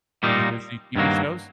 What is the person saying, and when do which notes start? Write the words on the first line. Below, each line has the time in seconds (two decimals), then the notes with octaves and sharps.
From the Disney TV shows?
0.23 A#2 G3 A#3 D#4
0.96 G2 D#3 F#3 A#3